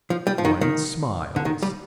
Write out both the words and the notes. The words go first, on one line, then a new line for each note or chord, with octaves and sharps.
One smiles.
F3
G3
F3
D#3
D#3
D3
D#3
G3